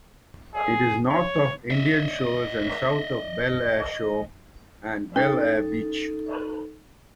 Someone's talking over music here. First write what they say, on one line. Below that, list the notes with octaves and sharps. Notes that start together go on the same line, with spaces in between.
It is north of Indian Shores and south of Belleair Shore and Belleair Beach.
G#4
C#5
D#5 E5
C#4 D#4 A4